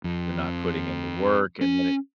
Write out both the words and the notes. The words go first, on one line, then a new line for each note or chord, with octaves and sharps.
They're not putting in the work, and then it
F2
C#4